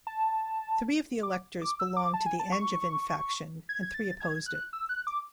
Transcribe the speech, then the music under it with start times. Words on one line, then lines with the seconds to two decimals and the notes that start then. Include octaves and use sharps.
Three of the electors belonged to the Angevin faction, and three opposed it.
0.07 A5
1.23 D6
1.62 D6
1.79 E6
1.97 D6
2.14 A5
2.26 G#5
2.40 A5
2.52 C#6
3.69 G#6
3.83 G#6
3.94 A6
4.20 G#6
4.46 F#6
4.73 E6
4.89 F#6
5.07 D6